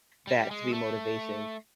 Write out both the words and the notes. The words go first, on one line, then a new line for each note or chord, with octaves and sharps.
that to be motivation.
G3
G#3
A3